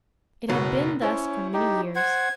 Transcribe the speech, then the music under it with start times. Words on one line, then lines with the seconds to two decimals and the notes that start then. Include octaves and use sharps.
It had been thus for many years.
0.49 F#1 B2 C#5
1.02 C#4 E4 C5 C#5
1.54 D#4 G4
1.96 C5 F#5 G#6